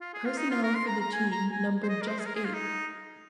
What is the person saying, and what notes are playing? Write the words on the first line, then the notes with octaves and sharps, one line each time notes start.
Personnel for the team numbered just eight.
F4
G#4
F4
D#4
F4
A#4
C6
A#5
A#5
G#5
A#5
G#5
C5
D#5
A#4
C5
G#4
A#4
G#4
F4
D#4